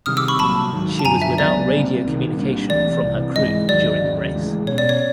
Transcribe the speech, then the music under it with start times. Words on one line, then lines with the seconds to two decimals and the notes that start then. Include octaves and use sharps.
She was without radio communication from her crew during the race.
0.06 C3 D#3 G3 D#6 F6
0.17 D6 E6
0.28 B5 C#6
0.39 C2 A#2 F#3 A5 B5
0.72 G#2 D#3 F#3
0.99 A5
1.05 F#2 D3 F3 G#5 A#5
1.22 E5
1.37 C#2 C#3 F#3 B3 D5
1.71 A#2 G3 C4
2.03 C2 C3 D#3
2.37 A#2 G3 B3 D4
2.70 C2 C3 E3 A3 D5
3.03 C2 C3 E3
3.36 G#2 E3 G#3 D#5
3.68 D#2 D#3 F#3 D5
4.01 D#2 C#3 F#3
4.35 A2 E3 G#3
4.67 B2 G#3 C#4 C#5
4.78 D5
4.89 C#5